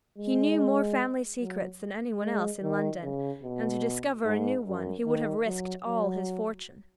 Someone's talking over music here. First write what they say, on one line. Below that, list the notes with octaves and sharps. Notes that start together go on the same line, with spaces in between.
He knew more family secrets than any one else in London, and to discover a new one he would have risked all his fortune.
G#3
F#3
G#3
D#3
C#3
B2
G#2
F#2
D#3
F#3
F#3